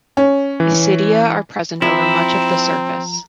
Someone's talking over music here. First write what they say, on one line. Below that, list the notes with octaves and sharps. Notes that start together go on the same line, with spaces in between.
Isidia are present over much of the surface.
C#4
E3
F3 C4 E4 A#5